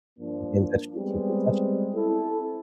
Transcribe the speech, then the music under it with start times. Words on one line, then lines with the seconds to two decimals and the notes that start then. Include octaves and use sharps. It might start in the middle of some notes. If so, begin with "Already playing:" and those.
keep in touch you keep in touch
0.19 G2 F3 A#3 D4
0.97 G3 G#3 B3 C4
1.95 C4 E4 A4